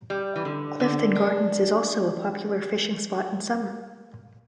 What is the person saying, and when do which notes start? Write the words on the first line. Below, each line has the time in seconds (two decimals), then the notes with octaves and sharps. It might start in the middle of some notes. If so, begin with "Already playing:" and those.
Clifton Gardens is also a popular fishing spot in summer.
0.10 G3
0.36 E3
0.45 D3
0.80 D3
1.15 D4